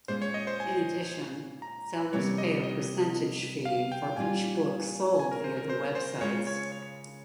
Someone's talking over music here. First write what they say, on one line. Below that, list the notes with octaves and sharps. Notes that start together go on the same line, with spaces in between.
In addition, sellers pay a percentage fee for each book sold via the websites.
A#2 G#3 C#4 C5
C#5
D#5
C5
G#5
A#5
C3 G3 A#3 C#4 C#5
D#5
D#5
F5
G5
A#2 G3 C#4 F4 G#5
G#5
A#4
C5
A#4
C5
C5
C#3 G#3 C#4 F4 C#5
C#5
C#5